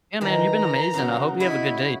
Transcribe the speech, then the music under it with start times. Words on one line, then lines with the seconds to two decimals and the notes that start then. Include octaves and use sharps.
Yeah, man, you've been amazing, I hope you have a good day.
0.21 D#3 E3 A#5
0.94 C#3 F#3
1.40 E4 C#5 D#5 E5 B5